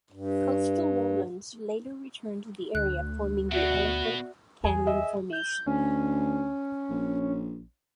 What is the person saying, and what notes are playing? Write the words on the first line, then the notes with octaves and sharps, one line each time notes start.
Coastal lowlands later returned to the area, forming the Elephant Canyon Formation.
G2
D2 F#6
B2 F#4 D5 E5
E2 G#4
D#5 E5
G6
D2 C#4
A#1